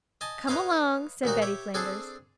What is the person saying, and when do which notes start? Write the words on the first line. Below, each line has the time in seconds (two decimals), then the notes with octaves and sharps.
"Come along," said Betty Flanders.
0.21 D#5 G#5 A5
0.47 B4 C#5 D#5 F5 A#5
1.24 D#2 A#2 D#4 F#4
1.42 G4 C#5 E5
1.74 C4 D4 G#4 A4 G#5